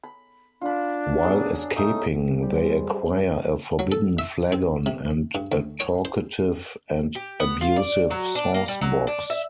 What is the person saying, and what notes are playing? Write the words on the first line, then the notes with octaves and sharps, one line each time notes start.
While escaping, they acquire a Forbidden Flagon and a talkative and abusive Sauce Box.
B5
D4 F4 B5
F#3 B3 G#4
A3 D#4 D#6
F#2 G3 G#4 C5
F#3
A4
E5
C4
C3
G2
D2
C#5
C5
G4
B3
F4
D5
F#3
D4
A#3
G3
F#3
D4
E5